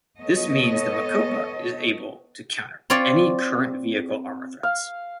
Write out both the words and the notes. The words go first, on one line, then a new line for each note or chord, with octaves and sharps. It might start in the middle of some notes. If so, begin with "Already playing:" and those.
This means the Mokopa is able to counter any current vehicle armour threats.
B3 A4 C#5 D#5
C4 F4 C#5 D5 F5
F5